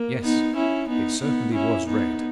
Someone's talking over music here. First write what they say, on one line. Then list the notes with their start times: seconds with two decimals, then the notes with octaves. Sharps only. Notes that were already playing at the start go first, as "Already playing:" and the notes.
Yes! it certainly was red!
Already playing: A#3
0.23 B3 D#4
0.56 C#4 E4
0.88 B3 D#4
1.21 B3 D#4
1.54 C#4 E4
1.87 B3 D#4